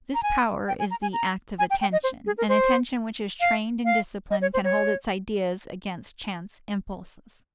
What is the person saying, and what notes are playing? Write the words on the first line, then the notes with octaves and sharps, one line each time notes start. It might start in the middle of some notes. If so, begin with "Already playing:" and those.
This power is the act of attention. An attention which is trained and disciplined can hold its ideas against chance impulses.
A#5
G#5
G5
G#5
A#5
G#5
A#5
G#5
G5
G5
D#5
C5
G#4
A#4
C5
F5
F5
D#5
C#5
C5
C#5